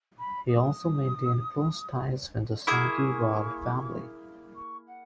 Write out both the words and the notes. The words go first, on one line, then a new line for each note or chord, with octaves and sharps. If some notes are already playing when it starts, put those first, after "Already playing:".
He also maintained close ties with the Saudi royal family.
B5
D#6
A#3 E4 G#4 C#6
C#6
F#5